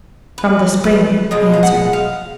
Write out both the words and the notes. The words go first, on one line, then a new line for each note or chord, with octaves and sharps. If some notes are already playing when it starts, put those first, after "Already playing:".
"From the spring," he answered.
B4
B4
B2 G#3 D#5
F5
F#5
F5